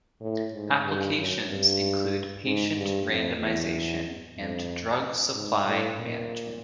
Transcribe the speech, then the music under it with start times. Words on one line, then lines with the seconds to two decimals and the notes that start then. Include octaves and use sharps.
Applications include patient randomization and drug supply management.
0.20 A2
0.53 G#2
0.85 G2
1.17 F#2
1.49 G2
2.45 G#2
2.77 G2
3.09 F2
3.41 E2
4.38 F2
5.33 G#2
5.64 A2
5.97 A#2